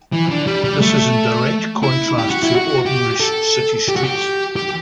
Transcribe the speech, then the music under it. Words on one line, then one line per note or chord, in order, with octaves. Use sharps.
This is in direct contrast to ordinary city streets.
E3
D3
G3
G3
A3
E4
G4
F#4
E4
F#4
G4
A4
G4
F#4
G4
G4